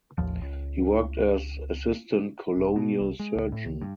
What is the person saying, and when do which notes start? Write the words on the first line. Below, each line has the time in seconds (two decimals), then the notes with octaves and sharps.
He worked as Assistant Colonial Surgeon.
0.18 A1 D#2 F3
0.41 C#2
2.57 E1
2.76 B2
3.01 C2
3.20 G#3
3.36 C#2
3.52 A2
3.66 C#2
3.81 G2